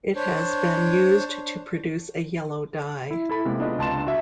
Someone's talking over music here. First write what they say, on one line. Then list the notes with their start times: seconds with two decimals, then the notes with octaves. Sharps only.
It has been used to produce a yellow dye.
0.15 D4 C5 C#5
3.11 E4
3.29 E4 A4 B5
3.45 C3 G#3 A#3 B3
3.59 B3 D4 F4 D#5
3.79 C#2 A5 C6 E7
4.07 F#4 E5